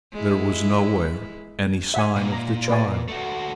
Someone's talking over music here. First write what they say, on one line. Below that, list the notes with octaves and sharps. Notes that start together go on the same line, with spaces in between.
There was nowhere any sign of the child.
G#3 E4
E5 F#5 G#5
A#2
A#5
B4 D5 G#5
A3 F#4